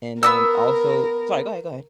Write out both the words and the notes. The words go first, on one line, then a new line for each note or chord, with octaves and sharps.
and, um, also sorry, go ahead, go ahead.
B3 D#4 A#4 E6